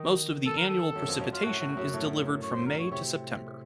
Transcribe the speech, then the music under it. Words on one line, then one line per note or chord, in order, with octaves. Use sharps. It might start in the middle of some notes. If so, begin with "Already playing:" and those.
Most of the annual precipitation is delivered from May to September.
Already playing: D#3
A4
A#4
A4
F#2
F2
F#2
F#2 F4
A2 F#4
A2
F#2
A2
C#5
C5
A#4
C#5
C3 C#5